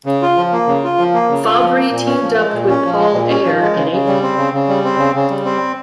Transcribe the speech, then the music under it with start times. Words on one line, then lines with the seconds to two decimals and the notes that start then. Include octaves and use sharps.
Fabbri teamed up with Paul Ayer in April.
0.06 C#3
0.22 F4
0.38 F3
0.53 A#3
0.67 C#3
0.84 F4
0.99 F3
1.14 A#3
1.30 C#3
1.45 F4
1.60 F3
1.76 A#3
1.92 A#2
2.06 C#4
2.22 F3
2.37 G#3
2.53 A#2
2.68 C#4
2.84 F3
2.99 G#3
3.14 A#2
3.30 C#4
3.45 F3
3.61 G#3
3.76 C#3
3.91 C#3
4.07 G3
4.22 C4
4.37 C#3
4.53 C#3
4.69 G3
4.84 C4
4.99 C#3
5.15 C#3
5.30 G3
5.45 C4